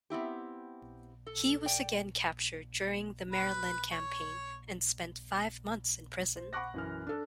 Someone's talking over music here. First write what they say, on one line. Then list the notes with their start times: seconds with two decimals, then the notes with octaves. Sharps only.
He was again captured during the Maryland Campaign and spent five months in prison.
0.10 B3 C4 E4 G4
1.26 A4
1.66 D5 G5
3.32 B4
3.91 C#5
6.36 C5
6.53 F#5 B5 C#6 D6 F#6 A#6
6.74 F#2 E3 F6
7.07 D4 A4